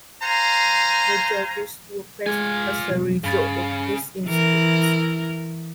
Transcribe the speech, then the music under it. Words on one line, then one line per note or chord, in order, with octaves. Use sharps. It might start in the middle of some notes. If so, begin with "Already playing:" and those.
No charges were pressed as a result of this incident.
C5 F5 G#5 A#5
G#3 F4 G#5
B2 F3 G3
G2 C#3 B5 A6
E3 E4 A#4